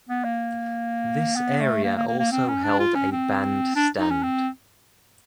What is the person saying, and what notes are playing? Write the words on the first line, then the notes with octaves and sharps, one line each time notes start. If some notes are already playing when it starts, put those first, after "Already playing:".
This area also held a band stand.
B3
A#3
B3
A3
A#3
A#3
A#3
A#3
C4
C#4
D4
F4
C#4
C4
D4
D#4
C#4
C4